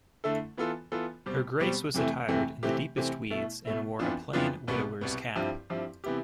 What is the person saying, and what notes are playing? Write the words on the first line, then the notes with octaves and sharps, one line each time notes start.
Her grace was attired in the deepest weeds, and wore a plain widower's cap.
D3 A3 E4 A4
E3 B3 F4 A4
E3 B3 F4 A4
B2 G3 C4 G4
B2 G3 C4 G4
F2 C3 E3 A3
F2 C3 E3 A3
C3 E3 A3 C4 G4
C3 E3 A3 C4 G4
B2 A3 E4
B2 A3 E4
F2 E3 B3 D4 F4
F2 E3 B3 D4 F4
C2 B2 B3
C2 B2 B3
G2 F3 C4 E4 G4
G2 F3 C4 E4 G4
C3 E3 B3 E4 G4